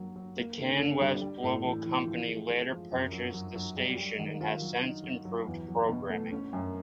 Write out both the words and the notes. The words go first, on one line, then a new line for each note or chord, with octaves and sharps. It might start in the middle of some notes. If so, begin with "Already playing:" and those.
The CanWest Global company later purchased the station and has since improved programming.
Already playing: F#3 A#3
F#3
A#3
D3
D3
G3
G3
A2
E3
E3
F3
G#3
G#3
F3
F#2
F#3
F#3
F#3
G3
G3
D#3
F4
F#3
D#4
F#3
F#3
E2
F#3
B2
A3
C#4
F#2